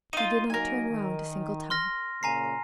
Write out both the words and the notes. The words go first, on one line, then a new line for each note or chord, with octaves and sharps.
He did not turn round a single time.
D#4 F4 D#7
F#3 A#3 D#4 A#4 G#5
D#3
C6 F6 A#6
A#2 C#3 A#3 G#5 A#5 C7